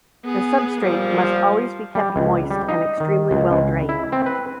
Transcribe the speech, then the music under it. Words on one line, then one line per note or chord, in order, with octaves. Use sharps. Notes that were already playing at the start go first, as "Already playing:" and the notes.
The substrate must always be kept moist and extremely well drained.
B3 G#4
A#2 F3 G3
G3
C#2
G3
D#4
D#3
C#2
C#2
E4
C4
B4